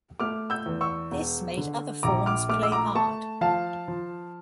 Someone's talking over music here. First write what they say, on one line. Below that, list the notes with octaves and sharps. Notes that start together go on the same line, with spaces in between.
This made other forms play hard.
A3 D6 F6
E6 G6
E2
C#6 E6
E1
D3
A#1 A#5 D6
D6 F6
A3 D6 F6
E6
A#5 D6
A3 A5 C#6
F3 F5 A5
F3